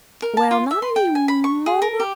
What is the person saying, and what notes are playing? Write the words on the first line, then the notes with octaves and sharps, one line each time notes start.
Well, not anymore
A#4
A5
F4
E5
C6
G5
G#5
B5
C#6
G#4
A#4
G4